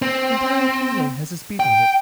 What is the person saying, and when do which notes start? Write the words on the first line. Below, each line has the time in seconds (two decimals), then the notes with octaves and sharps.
The entire freeway has a speed limit.
0.02 C4
1.60 G5